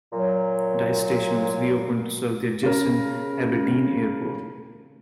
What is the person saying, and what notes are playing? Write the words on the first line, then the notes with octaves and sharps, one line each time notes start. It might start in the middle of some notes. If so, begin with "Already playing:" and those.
Dyce station was reopened to serve the adjacent Aberdeen Airport.
A#2 F#3
C#3 A#4